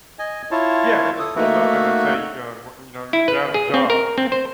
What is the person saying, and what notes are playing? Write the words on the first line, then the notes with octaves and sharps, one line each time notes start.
Yeah, they just close-up and then say, you know, y you know, "You're out of a job."
D#5 G#5
E4 F4 C#5 A5
A4 D#6
A3 A#3 D#4 F#4 E5 F#5
E4
B4
G#4
C4
A#4
C4
C5